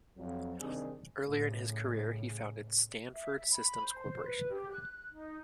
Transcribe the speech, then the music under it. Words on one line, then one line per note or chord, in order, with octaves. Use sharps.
Earlier in his career, he founded Stanford Systems Corporation.
F2 F#3
C3 D#3 G3 C4 D4 G#4
A2 C#3
E5
B5
C5
B4
G4
F#6
D#4